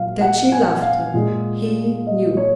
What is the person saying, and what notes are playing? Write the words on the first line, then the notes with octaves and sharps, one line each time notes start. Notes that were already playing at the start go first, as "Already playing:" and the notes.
That she loved him, he knew.
Already playing: A#2 F#3 F5
F#5
G#5
F5
A#2 G#3
D#5
C#5